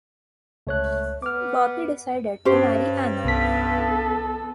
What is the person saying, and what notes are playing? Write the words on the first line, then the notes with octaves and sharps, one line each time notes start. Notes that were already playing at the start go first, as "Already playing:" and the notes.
Bobby decided to marry Anna.
C#2 A3 C#5 F#6
B3 D6 F6
G2 C#4 G4 C5
C2 B3 A4 B6